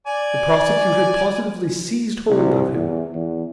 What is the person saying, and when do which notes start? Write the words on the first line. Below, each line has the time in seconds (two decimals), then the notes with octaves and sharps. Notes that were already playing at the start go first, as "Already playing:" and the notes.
The prosecutor positively seized hold of him.
0.07 D5 G#5
2.30 C2
2.75 E2
3.15 E2